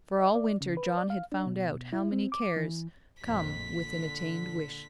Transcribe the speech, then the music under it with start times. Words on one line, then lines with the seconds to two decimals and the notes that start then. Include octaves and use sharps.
For, all winter, John had found out how many cares come with an attained wish.
0.19 D#5
0.35 D5
0.61 C#3
0.77 B4
0.97 D5
1.10 F5
1.32 D4
1.46 B2
1.93 E4
2.12 C4
2.32 D6
2.57 E3
3.22 A#1 F2 B6
3.70 A#2 D3